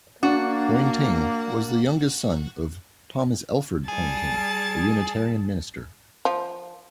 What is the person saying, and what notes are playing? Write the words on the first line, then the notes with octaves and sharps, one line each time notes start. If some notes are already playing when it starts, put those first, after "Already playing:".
Poynting was the youngest son of Thomas Elford Poynting, a Unitarian minister.
A#3 D4 F#4 F#5
G3 G#4 A5 A6
F3